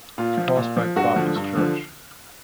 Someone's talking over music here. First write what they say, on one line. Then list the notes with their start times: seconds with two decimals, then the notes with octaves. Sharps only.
Prospect Baptist Church.
0.18 A#2 F4
0.37 F3
0.57 A#2
0.76 F3
0.96 G2 F#4
1.16 D3 F3
1.36 G2
1.55 D3 F3